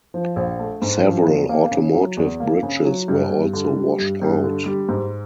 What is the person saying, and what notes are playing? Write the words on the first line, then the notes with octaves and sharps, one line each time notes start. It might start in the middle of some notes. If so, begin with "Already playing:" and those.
Several automotive bridges were also washed out.
F3
A#1
A3
G#2
F3
E2
A#3
C#3
F#3
E2
A#3
C#3
F#3
G2
G2
D3
G3
G2
G2
D3
G3
G#2